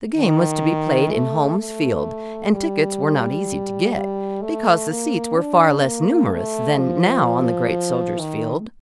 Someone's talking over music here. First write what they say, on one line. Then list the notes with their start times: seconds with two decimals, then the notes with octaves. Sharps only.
The game was to be played in Holmes' Field, and tickets were not easy to get, because the seats were far less numerous than now on the great Soldiers' Field.
0.17 D#3
1.12 A3
1.59 A3
2.53 G3
3.95 G3
4.42 A3
4.90 A#3
5.37 D4
5.84 A#3
6.32 A3
6.79 F3
8.20 D#3